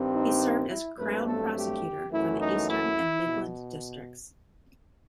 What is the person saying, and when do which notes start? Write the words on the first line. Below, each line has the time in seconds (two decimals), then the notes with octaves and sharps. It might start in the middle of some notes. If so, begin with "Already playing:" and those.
He served as crown prosecutor for the Eastern and Midland Districts.
Already playing: G2 D#3 G3 C4
0.12 D#4
0.68 E4
0.97 G2 F#3 A3 C4 B4
1.26 A4
1.54 G4
2.10 F#2 E3 A3 E4
2.39 D#4
2.67 E4
3.24 B2